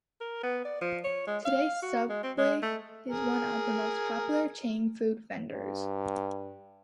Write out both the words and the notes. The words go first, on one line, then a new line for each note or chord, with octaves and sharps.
Today, Subway is one of the most popular chain food vendors.
A#4
B3
D5
F3
C#5
G#3
F5
F#4
G#3
C4
G#3
A3
G#4 A#4
G2